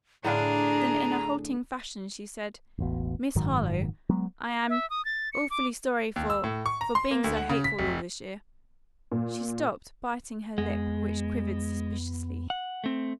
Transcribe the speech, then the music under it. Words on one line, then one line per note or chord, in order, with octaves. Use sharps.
Then in a halting fashion she said: "Miss Harlowe, I--am--awfully sorry for--for being so hateful all this year." She stopped, biting her lip, which quivered suspiciously.
A2 D3 D4 G#4 F5 A#5
E1 A1 B2
F#1 G#2 D#3 F#3
F#3 G#3 B3
E5
D#6
A6
C#7
D6
D#2
E6
A2
C#6
A#5
C6
A#3
D2
F#5
C#3
B6
F1
A#2
F2 G#3 B3
F#5
A3 C4